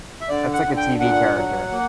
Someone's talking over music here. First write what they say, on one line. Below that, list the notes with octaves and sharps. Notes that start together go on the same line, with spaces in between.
That's like the TV character.
E5
D3 D5
F#5
D3
G5
A#2 F#5
F#3
A#3